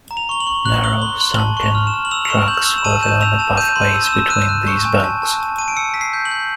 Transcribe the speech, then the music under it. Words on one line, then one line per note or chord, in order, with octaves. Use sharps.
Narrow sunken tracks were the only pathways between these banks.
A#5
F7
C#6 G7
F#7
C#6
F#6 F#7
D#6 G7
C6 G7
C6 F#7
A5 F#7
C#6
F7
F6
E7
F6
F#7
E6 F7
F7
C#6 E7
G6 F#7
E6 F7
E7
A5 D#7
D#7
G6 E7
E6 F7
A5 E7
G6 D#7
C6
D#7
E6
E7
E6
F#6 D#7
F#6
C#6
G#5
A5
A5
A5
A5 D#7
D7
E6 C#7
E6 B6
C7
G6
F#7
G6